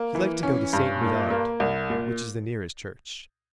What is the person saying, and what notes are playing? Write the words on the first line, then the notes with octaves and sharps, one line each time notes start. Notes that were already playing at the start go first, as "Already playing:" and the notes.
He liked to go to Saint-Medard, which is the nearest church.
Already playing: A#3
E3
C#4
G2
A#2
A#3
C2
A#2